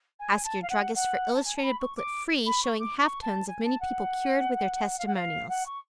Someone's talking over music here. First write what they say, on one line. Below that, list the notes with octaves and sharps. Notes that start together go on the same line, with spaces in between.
Ask your Druggist for illustrated Booklet FREE, showing half tones of many people cured, with their testimonials.
G#5
A5
F5
F#5
F#5
A5
G#5
A5
B5
C#6
D6
B5
C#6
D6
C#6
A5
G#5
A5
F#5
F5
F#5
F5
F#5
C#6